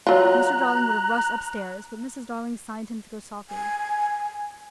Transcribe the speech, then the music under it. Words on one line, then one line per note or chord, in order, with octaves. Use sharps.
Mr. Darling would have rushed upstairs, but Mrs. Darling signed him to go softly.
F#3 F4 A#5 F#6
G#5